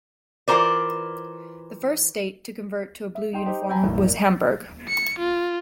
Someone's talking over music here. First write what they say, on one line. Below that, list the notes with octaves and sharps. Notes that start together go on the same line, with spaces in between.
The first state to convert to a blue uniform was Hamburg.
E3 F4 G#4 A#4 C5 D5
E5
D#4 G5 C6
D#4 G4 C5
G5 G#5 A#5 B5 G6
F#1 B1 E2 A2
A#3 D5
C#7
F4